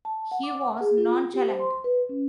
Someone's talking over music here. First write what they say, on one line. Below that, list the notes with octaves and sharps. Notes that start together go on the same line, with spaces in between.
He was nonchalant.
A5
F#5
D6
F#5
G#4
F4
G4
C5
C6
B4
C#4